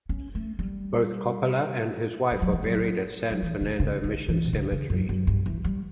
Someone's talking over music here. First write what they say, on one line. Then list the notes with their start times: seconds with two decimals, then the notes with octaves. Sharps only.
Both Coppola and his wife are buried at San Fernando Mission Cemetery.
0.09 C#4
0.35 A3
0.59 G3
2.31 G3
2.42 F#3
2.53 E3
2.63 F#3
3.31 F#3
3.42 E3
3.61 D3
3.80 C#3
4.04 D3
4.28 E3
4.45 B2
4.53 C#3
4.72 C#3
4.90 F#2
5.09 F#2
5.27 G2
5.46 E3
5.64 G3